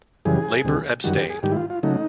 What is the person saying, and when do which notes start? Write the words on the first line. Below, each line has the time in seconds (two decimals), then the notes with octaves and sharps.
Labour abstained.
0.25 F#2 C#3 E3 G3 G#4
0.64 D2 C3 D#3 G3
1.04 F#2 D#3 G3 F#4
1.17 G4
1.30 G#4
1.43 G#2 D#3 G3 G4
1.52 E4
1.57 F4
1.70 F4
1.83 C#3 F#3 A3 D#4